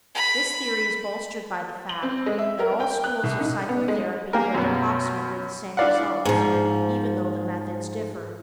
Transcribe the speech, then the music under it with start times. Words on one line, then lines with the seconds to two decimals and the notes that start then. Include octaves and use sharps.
This theory is bolstered by the fact that all schools of psychotherapy yield approximately the same results even though the methods differ.
0.15 B5
1.89 F#7
2.03 C4
2.26 G#3
2.38 E5
2.59 A#4
2.80 G5
3.04 F#6
3.23 C2
3.40 D#4
3.69 B3
3.88 G#3
4.33 A#3 G4 G#4 A#4
4.55 F#2 B2
5.77 D4 E4 F4 D5 F5 F#5
6.25 G#2 F3